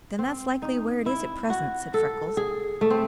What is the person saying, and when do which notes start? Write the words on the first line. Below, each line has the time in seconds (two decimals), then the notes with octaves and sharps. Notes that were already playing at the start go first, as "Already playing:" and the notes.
"Then that's likely where it is at present," said Freckles.
0.19 C4
0.62 D#4
1.06 E4
1.50 F#4
1.94 A4
2.37 G#4
2.81 A3
2.90 C4